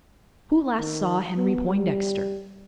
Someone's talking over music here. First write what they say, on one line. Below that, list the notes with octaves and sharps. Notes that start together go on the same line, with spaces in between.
Who last saw Henry Poindexter?
D#3
B3
G3